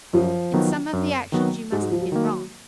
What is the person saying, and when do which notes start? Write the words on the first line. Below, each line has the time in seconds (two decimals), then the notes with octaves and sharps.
In some of the actions you must have been wrong.
0.13 F#2 F3
0.54 D#3 F#3 B3 F#4
0.93 F#2
1.32 D#3 F#3 B3 F#4
1.72 G#2 G#3
1.82 F#3
1.92 F3
2.01 F#3
2.12 D#3 A#3